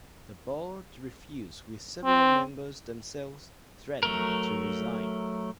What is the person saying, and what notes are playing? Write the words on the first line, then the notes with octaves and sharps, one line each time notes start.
The board refused, with several members themselves threatening to resign.
C4
F#3 A3 A#4